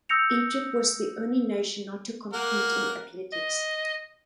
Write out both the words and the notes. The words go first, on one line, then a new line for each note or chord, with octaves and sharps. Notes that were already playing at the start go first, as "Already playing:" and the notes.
Egypt was the only nation not to compete in athletics.
D#6 E6 G6 A#6 C#7 F7
A#3 A#4 F#5
D#5